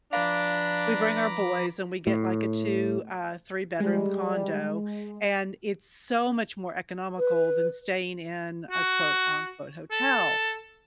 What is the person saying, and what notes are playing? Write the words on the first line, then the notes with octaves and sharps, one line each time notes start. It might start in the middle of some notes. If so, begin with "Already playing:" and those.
We bring our boys and we get, like, a two, uh, three-bedroom condo, and it's so much more economical than staying in a quote, unquote “hotel.”
F3 D4 B4 F5 A#5 B5 D6
A2
G3 G#3
B4
F#4
A4